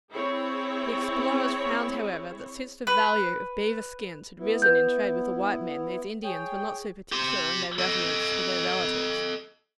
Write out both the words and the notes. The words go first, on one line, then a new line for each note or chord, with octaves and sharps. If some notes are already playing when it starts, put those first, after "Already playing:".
The explorers found, however, that since the value of beaver skins had risen in trade with the white men, these Indians were not so particular in their reverence for their relatives.
C4 E4 G#4 C#5
B4
B3 E4
B4 G6
G#4 C#5 G5
G4 C6
A4 D#5